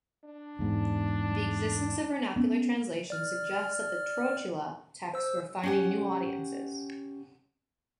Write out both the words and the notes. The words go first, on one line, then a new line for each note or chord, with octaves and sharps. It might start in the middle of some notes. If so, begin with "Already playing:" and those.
The existence of vernacular translations suggests that the "Trotula" texts were finding new audiences.
D4
E2 G#2
B3 C#4
D5 F6
C5 E6
C#4 G4 F#5